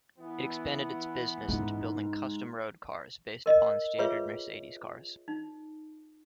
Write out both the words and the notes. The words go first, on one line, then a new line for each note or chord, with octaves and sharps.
It expanded its business into building "custom" road cars based upon standard Mercedes cars.
E3 B3
G#2 C#4 D#4
A#4 D#5
F4 G#4 B4 C#5 E5
D#4